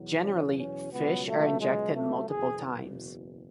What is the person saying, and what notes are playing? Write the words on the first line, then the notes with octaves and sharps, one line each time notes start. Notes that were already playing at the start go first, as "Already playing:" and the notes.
Generally, fish are injected multiple times.
Already playing: E2 B2 F#3
C#4
C#4
C#2 B2 F#3 B3
A3
G#3
A3
F#1 E2 B2 G#4